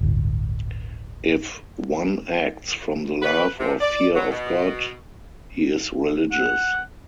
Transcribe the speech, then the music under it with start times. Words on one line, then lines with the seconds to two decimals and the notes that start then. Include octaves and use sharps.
If one acts from the love or fear of God, he is religious.
0.01 D1 G1
3.22 B4
3.59 C3
3.81 D5
4.14 F#3
4.30 B2
6.32 F#5